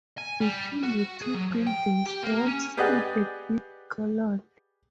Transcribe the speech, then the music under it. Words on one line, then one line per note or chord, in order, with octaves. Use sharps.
Between the two buildings once stood the big Garland.
G#5
G3
F#4
G#4
F#3
F3
G5
G4
A#3
C#4
G4 G#4 B4 D5 D#5 F#5